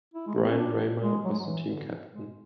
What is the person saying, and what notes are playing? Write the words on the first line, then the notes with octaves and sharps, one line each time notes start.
Brian Ramer was the team captain.
E4
G#3
A3
B3
C#4
D4
G#3
F#3
G#3
F#3
E3
D3
G#3